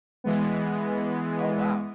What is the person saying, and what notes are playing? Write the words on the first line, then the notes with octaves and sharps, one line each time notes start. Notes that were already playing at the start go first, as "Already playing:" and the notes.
Oh, wow.
E3 G#3 B3